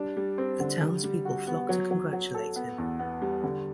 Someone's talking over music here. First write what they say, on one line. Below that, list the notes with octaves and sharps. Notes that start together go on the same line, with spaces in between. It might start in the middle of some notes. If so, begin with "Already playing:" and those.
The townspeople flock to congratulate him.
Already playing: G3 D4
G3
C4
D3
G3
G3
F#4
B3
F#3
F#3
F#3
A4
B3
E2
B3
G3
D3